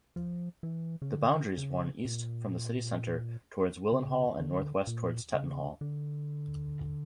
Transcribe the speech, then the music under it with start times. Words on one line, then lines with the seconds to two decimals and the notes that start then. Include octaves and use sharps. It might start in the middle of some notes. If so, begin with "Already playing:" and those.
The boundaries run east from the city centre towards Willenhall and north-west towards Tettenhall.
0.16 F3
0.63 E3
1.02 C#3
1.11 D3
1.58 C#3
2.05 A#2
3.92 C#3
4.39 D3
4.87 A#2
5.34 C#3
5.81 D3